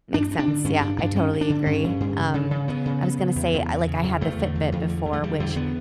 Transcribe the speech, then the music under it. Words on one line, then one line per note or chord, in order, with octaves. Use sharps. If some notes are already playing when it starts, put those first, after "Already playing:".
Makes sense, yeah, I totally agree. Um, I was gonna say, I like, I had the Fitbit before, which
G2 D4
G2
D4
D3
G2 C#4
G2 D4
G2 D4
G2 C#4
G2
D4
D3
G2 C#4
G2
G2
C#3
C#3
C#3
C#3 B3
C#3
C#3
C#3
E2
E2
C#3
C#3
E2
E2 A3
D3
E2
E2
D3
E2
A3
D3 G3
E2 G3
D3 B3